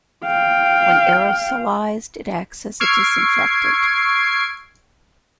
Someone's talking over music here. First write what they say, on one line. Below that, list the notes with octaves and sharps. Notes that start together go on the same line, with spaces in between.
When aerosolized it acts as a disinfectant.
F5 G5
C#6 E6 F6 G#6 C7 D7